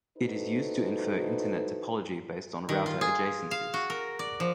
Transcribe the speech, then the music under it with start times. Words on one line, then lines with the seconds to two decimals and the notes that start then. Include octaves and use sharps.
It is used to infer Internet topology based on router adjacencies.
0.18 D#4 E4 F#4 A4 B4 C5
2.69 D#3
2.86 F4
3.01 G#4
3.51 F5
3.74 F#4
3.90 A#4
4.19 D5
4.40 F3